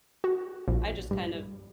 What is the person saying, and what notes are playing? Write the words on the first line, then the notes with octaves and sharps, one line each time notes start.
I just kind of
F#4
A#1
G2